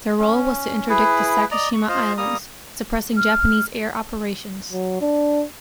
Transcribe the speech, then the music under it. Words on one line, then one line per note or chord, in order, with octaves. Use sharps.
Their role was to interdict the Sakishima Islands, suppressing Japanese air operations.
C#4
E4 G#4 B4
D5 D#5 A#5
C#6
F4 C5 D#5 F5
G3 A#3 A#5 D#6
F6
F#3
D4